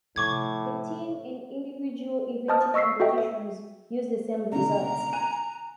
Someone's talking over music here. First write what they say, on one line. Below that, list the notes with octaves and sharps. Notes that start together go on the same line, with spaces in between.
The team and individual eventing competitions used the same results.
A2 C3 F3 C#6 D6 G#6
C5 D#5 A5 D#6 F6
D#5 C#6 E6 B6 C7
F#4 A4 D#5 E5 G5
E5
C#2 B2 D3 A#5
G#5 F#6 D#7